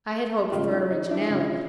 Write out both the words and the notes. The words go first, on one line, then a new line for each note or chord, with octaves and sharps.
I had hoped for originality.
C#3 F3 G#3 F4 G4
D#4 F4
D#4
D4 E4
C#3 F3 G#3